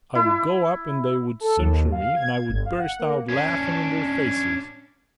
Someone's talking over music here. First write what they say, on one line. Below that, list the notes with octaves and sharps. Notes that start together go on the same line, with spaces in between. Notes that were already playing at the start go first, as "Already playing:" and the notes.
I would go up and they would censure me, and I would burst out laughing in their faces.
E4
A4
D#2
F5
G#6
G1
F5
F#5
A#3
C#4 D4